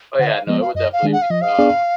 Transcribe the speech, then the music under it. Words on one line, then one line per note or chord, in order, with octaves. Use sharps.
Oh, yeah, no, it would definitely become
D3 F#5
D#5
F5
F3 G#3 B3 D#5
F5
F#2 D#5
F5
D#3 G#3 D4 G#4
F#5
F5
F3 D#5
F5
B3 D4 G#4 D5